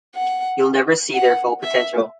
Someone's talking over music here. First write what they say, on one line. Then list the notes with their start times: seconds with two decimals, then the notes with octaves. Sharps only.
You'll never see their full potential.
0.15 F#5
1.14 F#5
1.63 E5